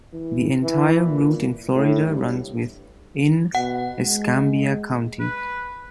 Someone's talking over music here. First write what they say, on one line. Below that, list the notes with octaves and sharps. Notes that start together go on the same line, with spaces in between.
The entire route in Florida runs within Escambia County.
E3
E3
A#2
A2
G2
B2 F#5
G#3
B4